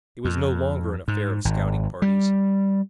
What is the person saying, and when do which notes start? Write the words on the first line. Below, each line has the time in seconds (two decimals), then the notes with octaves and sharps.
It was no longer an affair of scouting parties.
0.25 F2
1.08 G#2
1.45 G#1
2.02 G3